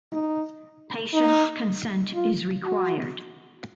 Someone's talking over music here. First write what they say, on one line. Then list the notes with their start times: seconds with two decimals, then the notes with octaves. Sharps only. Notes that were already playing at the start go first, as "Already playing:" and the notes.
Patient consent is required.
0.13 D#4
1.14 D#4
2.14 F4
2.64 F#4